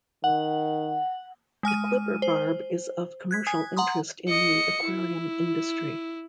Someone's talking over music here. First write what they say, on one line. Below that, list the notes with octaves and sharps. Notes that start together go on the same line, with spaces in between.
The clipper barb is of commercial interest in the aquarium industry.
D#3 F#5
G#3 G#5 F6 D#7
C5
F#6 G#6 B6
G#5 D#6
F#5 A#5 C6 D#6
D#5 C#7
E4